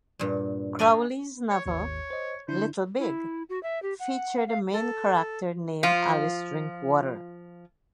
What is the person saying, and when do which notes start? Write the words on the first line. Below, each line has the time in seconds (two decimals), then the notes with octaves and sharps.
Crowley's novel "Little, Big" featured a main character named Alice Drinkwater.
0.19 G2 A#2
0.79 D5 D#5 F5 G5 G#5 B5
1.49 C#5
1.66 G#1 D#2 C#5
2.11 C5 D#5
2.48 D3 D4 E4 C5
2.99 E4
3.49 F#4
3.63 E5
3.83 G4
4.00 F#5
4.48 F5
4.73 A4
5.83 F3 F4